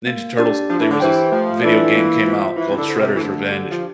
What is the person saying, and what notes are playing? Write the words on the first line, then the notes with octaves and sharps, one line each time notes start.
Ninja Turtles, there was this video game came out called Shredder's Revenge,
A#3
D4 G4 D5
F3 D4
E3
D3
E3 G4 C5 G5
F3 A3
E3 D4 F4 A4 D5
A#3
F4 C5 E5
E3 E4
C3
D3
A4 C5
C3
E3
D3 A3
D4 G4
F3